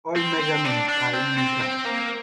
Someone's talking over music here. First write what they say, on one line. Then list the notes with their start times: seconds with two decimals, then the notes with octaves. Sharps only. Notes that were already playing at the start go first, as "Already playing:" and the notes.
All measurements are in metres.
0.16 C4
0.41 C4
0.65 D4
0.89 D4
1.14 C4
1.38 C4
1.62 C4
1.86 A#3